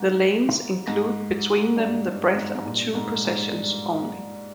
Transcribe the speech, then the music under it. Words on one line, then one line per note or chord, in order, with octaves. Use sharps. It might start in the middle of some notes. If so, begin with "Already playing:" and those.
The lanes include between them the breadth of two possessions only.
Already playing: G#2
G#2
G2
G2
G#2
G#2
G2 A#2
G#2
G#2
G2